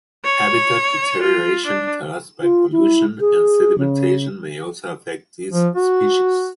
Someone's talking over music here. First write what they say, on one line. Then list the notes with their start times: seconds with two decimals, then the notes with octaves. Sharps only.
Habitat deterioration caused by pollution and sedimentation may also affect this species.
0.25 C#5
1.22 F4
1.66 D4
2.42 F4
2.72 E4
3.20 G#4
3.78 C#3
5.52 F3
5.75 F#4